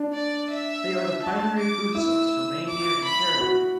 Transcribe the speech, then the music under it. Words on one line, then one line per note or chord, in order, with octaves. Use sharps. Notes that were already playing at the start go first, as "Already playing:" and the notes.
They are the primary food source for reindeer and caribou.
Already playing: D4
D5
E5
A5
D6
E4 E6
D6
B5
F#4